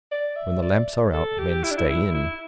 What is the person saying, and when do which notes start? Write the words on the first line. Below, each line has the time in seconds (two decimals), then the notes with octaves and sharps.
When the lamps are out men stay in.
0.12 D5
0.36 E5
0.62 D5
1.13 A4
1.39 G4
1.64 E4
1.71 D4
1.78 E4
1.90 E4
2.14 E4